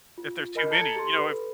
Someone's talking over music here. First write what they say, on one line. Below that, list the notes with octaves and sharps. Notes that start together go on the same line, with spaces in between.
if there's too many. You know, if
F4
A#4 D#5 G#5 B5 F6 G6
A4 A5 A#5 G#6 A6 C#7
G4 C6
A4 B4 B5